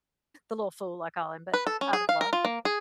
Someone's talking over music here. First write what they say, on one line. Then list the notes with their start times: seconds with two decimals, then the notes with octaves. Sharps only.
the little fool I call him, but out of love.
1.54 B4
1.67 A4
1.81 C#4
1.93 G#4
2.09 F5
2.21 A#4
2.33 F4
2.45 A#3
2.65 G#4